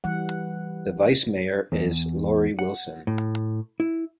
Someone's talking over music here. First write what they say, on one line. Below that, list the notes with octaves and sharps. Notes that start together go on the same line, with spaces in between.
The Vice Mayor is Lori Wilson.
E3 G3 F#5
E2
F#5
A2
E4